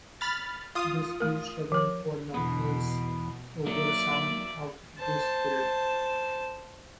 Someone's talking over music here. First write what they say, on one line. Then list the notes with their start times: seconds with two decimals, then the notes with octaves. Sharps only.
The school struggled for numbers over some of this period.
0.21 B5 F6 A6
0.75 F4 D#6
1.20 A3 A#4
1.72 F3 A#4
2.34 E2 B2 B3
3.66 F#3 A#3 D#4 D5 E5
4.99 C5 A5